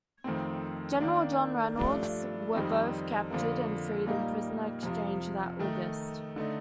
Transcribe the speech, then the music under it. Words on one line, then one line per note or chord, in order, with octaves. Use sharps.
General John Reynolds were both captured and freed in a prisoner exchange that August.
F2 D#3 A3 C4
D#3 A#3 D4
G2 F3 A3 D4
F2 D#3 G3 C4 D#4
F2 D3 F3 A#3
A#2 G3 A#3 D#4
F2 C3 F3
D#3 A3 D#4
D3 A3 D#4